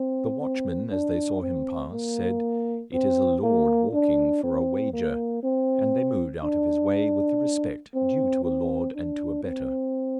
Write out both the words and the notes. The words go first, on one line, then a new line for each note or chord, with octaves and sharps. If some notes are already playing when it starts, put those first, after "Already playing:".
The watchmen, as they saw him pass, said, "It is a lord walking for a wager," and they moved out of his way with the respect due to a lord and to a better.
Already playing: C4
C4
D4
C4
A#3
C4
A#3
D4
C4
A#3
C4
D4
C4
C4
D4
C4